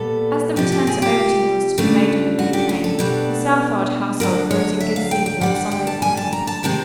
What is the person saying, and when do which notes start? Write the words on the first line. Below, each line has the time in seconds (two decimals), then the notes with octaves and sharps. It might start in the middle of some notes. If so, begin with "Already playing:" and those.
As the return to Overton was to be made on the noon train, the Southard household rose in good season on Sunday morning.
Already playing: A#2 G3 B3 A4
0.56 C3 F3 A3 G4
0.72 G4
0.87 G#4
1.02 G4
1.78 C#3 F3 A3 D4
2.39 F#4
2.53 G4
2.69 G#4
2.84 A4
2.99 B2 G3 B3 D4
4.20 D2 D3 F#3 A#4
4.51 C#5
4.80 E5
4.96 F5
5.11 G5
5.26 G5
5.41 D#2 D3 G3 F#5
5.56 F#5
5.72 G5
5.87 A5
6.02 G#5
6.17 A5
6.33 A#5
6.47 A5
6.63 C3 D#3 G#3 C4 A5